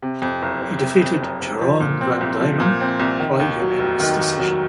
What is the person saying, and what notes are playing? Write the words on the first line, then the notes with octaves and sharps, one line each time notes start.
He defeated Jeroen van Diemen by unanimous decision.
C3
F2
F#1
F#1
C3
F2
F#1
F#1
F3
A#2
C4
C2
F3
A#2
C4
C2
D#3
D#2
F#3
F1
D#3
D#2
F#3